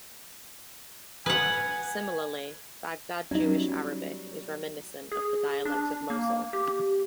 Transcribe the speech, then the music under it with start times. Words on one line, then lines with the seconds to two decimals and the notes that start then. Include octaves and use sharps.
Similarly, Baghdad Jewish Arabic is reminiscent of the dialect of Mosul.
1.26 B4 F#5 G#5
3.31 F#3 G3 B3 C#4 D#4
5.12 G#4
5.65 D4
6.10 A#3
6.53 G4